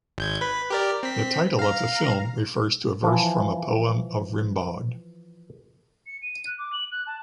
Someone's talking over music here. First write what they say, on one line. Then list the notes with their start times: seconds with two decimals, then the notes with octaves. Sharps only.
The title of the film refers to a verse from a poem of Rimbaud.
0.18 G#1 G6 G#6
0.41 B4 B5
0.70 G4 A#4 D5
1.03 C4 B6
1.59 F5 A#5
3.03 E3 F3
6.06 C#7
6.22 D#7
6.46 F#6
6.58 D6
6.72 F#7
6.91 F#6
7.06 A5